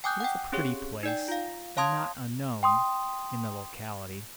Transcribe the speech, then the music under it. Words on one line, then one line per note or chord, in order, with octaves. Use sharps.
It is a pretty place, and not unknown--in the locality.
G5 G#5 D6 D#6 F#6 G6
F#5 G5
C4 C#4 G4 G#4 C#5
D#4 D5 G5
F4 F5
C#5 F5 A5 C6 D#6 G#6
G5 C6 D#6